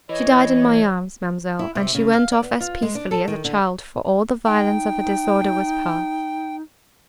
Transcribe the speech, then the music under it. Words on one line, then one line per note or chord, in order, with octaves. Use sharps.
She died in my arms, ma'amselle, and she went off as peacefully as a child, for all the violence of her disorder was passed.'
E3 C#5 D#5
E4
C3
C#3
F5
D5
B3
F4
G#3
D4
A4
D#3
D3
D#4 G5